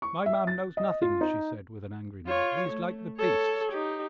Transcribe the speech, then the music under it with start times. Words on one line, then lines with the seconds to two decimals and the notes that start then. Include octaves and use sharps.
"My man knows nothing," she said, with an angry nod; "he is like the beasts."
0.02 C#6
0.26 E5
0.47 A6
0.77 D#5
1.02 F4
1.21 D#4
2.27 F4 C#5
2.69 A3
3.17 A4 C#5
3.72 D#4 G4